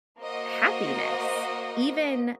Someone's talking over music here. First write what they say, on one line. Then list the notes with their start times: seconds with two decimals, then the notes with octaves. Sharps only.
happiness even
0.21 A#3 F#4 C5 D#5